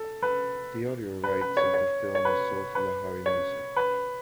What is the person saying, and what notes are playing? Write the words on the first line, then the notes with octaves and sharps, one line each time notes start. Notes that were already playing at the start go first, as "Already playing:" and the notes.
The audio rights of the film was sold to Lahari Music.
Already playing: A4
B4
B4
B4
C#5
C#5
C#5
B4
B4
C#5
B4